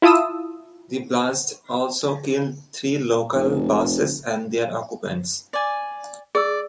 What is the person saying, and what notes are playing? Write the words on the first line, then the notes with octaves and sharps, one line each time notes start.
The blast also killed three local buses and their occupants.
E4 F4 A5 D#6 E6
F1
D5 G#5
G#4 D5 E6